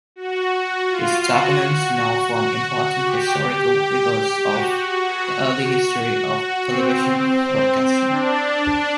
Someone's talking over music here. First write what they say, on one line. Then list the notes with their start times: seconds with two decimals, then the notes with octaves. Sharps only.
These documents now form important historical records of the early history of television broadcasting.
0.16 F#4
0.88 F4
1.24 F#4
1.61 F#4
2.33 F#4
2.68 F#4
3.05 G4
4.49 F#4
6.66 C4
8.10 D4